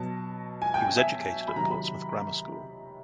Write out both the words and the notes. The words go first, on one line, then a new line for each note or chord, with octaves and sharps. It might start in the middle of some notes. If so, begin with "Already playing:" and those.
He was educated at Portsmouth Grammar School.
Already playing: B2 F#3 A5
G#5
G5
G5
E5
B5
C3 D#3 F#3 A#5
B5